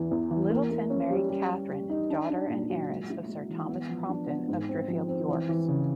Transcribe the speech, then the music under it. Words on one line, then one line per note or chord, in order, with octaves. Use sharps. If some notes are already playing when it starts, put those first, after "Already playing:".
Lyttelton married Catherine, daughter and heiress of Sir Thomas Crompton, of Driffield, Yorks.
Already playing: E2 E3
E2
E3
A#3
A#3
C#4
G3
G3
G3
G3
D#4
D4
D4
A#2
F#3
G#3
E4
G#3
E3
B3
F3
D4
B3
G#2
C4
F3
C4
E3
E3
C#3